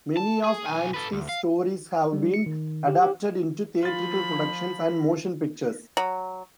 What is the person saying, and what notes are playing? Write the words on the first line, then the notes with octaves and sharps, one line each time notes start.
Many of Anstey's stories have been adapted into theatrical productions and motion pictures.
A5
G#4
B1 G#5
A4 B4
D2
F5
G3
C#7
D#3
G4
G4
F3 F4 B5 A6
F#3